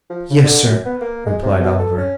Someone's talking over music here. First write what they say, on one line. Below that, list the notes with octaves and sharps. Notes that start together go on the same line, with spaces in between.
'Yes, sir,' replied Oliver.
F3
C#3
D3
F#2
B3
A#3
G#3
C3
B2
A4
C#4